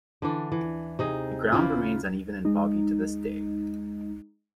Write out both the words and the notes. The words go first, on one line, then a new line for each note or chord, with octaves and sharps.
The ground remains uneven and boggy to this day.
D3 E3 D4
E3
C3 D#4 G#4
C#3 A#3 E4 F4
G#3 D#4